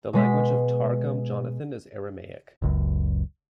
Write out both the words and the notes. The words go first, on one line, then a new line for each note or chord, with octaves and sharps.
The language of Targum Jonathan is Aramaic.
B2 G#3 B6
F#1 C#2 F#2